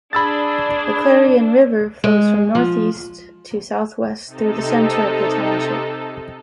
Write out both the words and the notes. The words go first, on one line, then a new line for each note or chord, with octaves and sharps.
The Clarion River flows from northeast to southwest through the center of the township.
D4 G#4 B5 E6 A6
G#3
F3
C3 D#4 A4